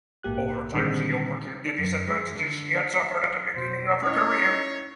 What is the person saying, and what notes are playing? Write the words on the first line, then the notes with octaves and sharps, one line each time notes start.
Over time she overcame the disadvantage she suffered at the beginning of her career.
A#1 G#2 A#3 G4 F#6
A#2 D3 D#3 G3 G#3 C4
F#2
G#3
D3
E5
F2 B2 C5
C#4 D#4 E4 C#5